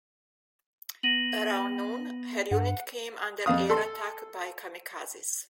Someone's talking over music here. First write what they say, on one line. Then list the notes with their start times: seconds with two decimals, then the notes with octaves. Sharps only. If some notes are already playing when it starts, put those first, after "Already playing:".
Around noon, her unit came under air attack by "kamikazes".
1.03 B3 A#6 D#7 F#7
2.51 G2 F#5
3.46 F2 F5 D#6
3.70 A4 C6